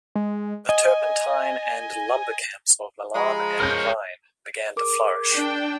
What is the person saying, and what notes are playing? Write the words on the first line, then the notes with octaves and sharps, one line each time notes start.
The turpentine and lumber camps of Milan and Rhine began to flourish.
G#3
D#5 G#5
F3 G#3 A#5 B5
A#4 C#5 F6 G6
G#4 A#4 D6
D4 G5